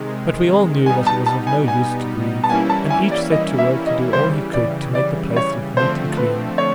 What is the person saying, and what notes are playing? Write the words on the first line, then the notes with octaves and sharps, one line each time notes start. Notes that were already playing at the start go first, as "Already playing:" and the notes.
But we all knew that it was of no use to grieve, and each set to work to do all he could to make the place look neat and clean.
Already playing: C3 D#3 G#3
B2 G3 B3 D#4 G#5
A5
A5
G#5
G#5
A5
E3 G3 A#3 C#4 E4 G#5
A5
G#5
D5
D#5
E5
D#5
C#3 E3 G3 C5
D5
D5
C#5
D3 F3 A3 C4 C5
B4
C#5